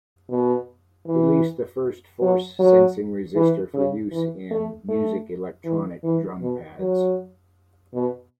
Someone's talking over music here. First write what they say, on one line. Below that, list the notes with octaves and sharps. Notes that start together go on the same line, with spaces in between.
Released the first force-sensing resistor for use in music electronic drum pads.
B2
E3
F#3
F#3
E3
C#3
E3
A3
A3
E3
E3
B2
F#3
B2